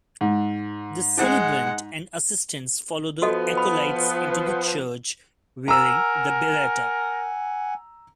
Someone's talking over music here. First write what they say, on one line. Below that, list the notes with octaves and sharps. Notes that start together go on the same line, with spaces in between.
The celebrant and assistants follow the acolytes into the church wearing the biretta.
G#2
G#3 F#5
F3 B3 F#4 A4 D#5
B5
A#4 F#5 G#5 A#5 E6